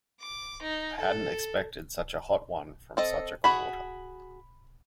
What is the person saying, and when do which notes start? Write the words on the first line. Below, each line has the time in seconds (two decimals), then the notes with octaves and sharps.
I hadn't expected such a hot one from such a quarter.
0.20 D6
0.62 D#4
1.00 A4
2.97 C4 A4 D#5
3.44 F#4 G#4 B5